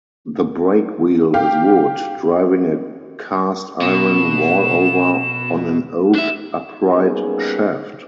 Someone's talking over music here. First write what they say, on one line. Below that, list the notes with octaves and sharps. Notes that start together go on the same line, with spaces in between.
The Brake Wheel is wood, driving a cast-iron Wallower on an oak Upright Shaft.
G4 F5
B2 E7
D4 E5 E7
G3 A#3 B3 C#4 D#4 G#4